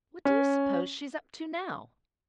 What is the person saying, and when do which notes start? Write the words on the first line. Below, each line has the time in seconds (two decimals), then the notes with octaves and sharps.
"What do you suppose she's up to now?"
0.25 C#4